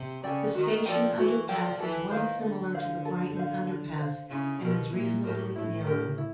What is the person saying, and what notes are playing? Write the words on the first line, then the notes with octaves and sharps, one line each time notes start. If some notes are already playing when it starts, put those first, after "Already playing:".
The station underpass is one similar to the Brighton underpass and is reasonably narrow.
Already playing: C3
C#3 A4 D5 G5
D#3 F#4
F3 A4 D5 G5
E3 F#4
F3 A4 D5 G5
E3 A4
D#3 C5 F5
D3 A4
C5 F5
A4
C5 F5
A4
C5 F5
C#3 E4
B2 G4 A#4
A#2 E4
A2 G4 A#4
A2 E4
G4 A#4
E4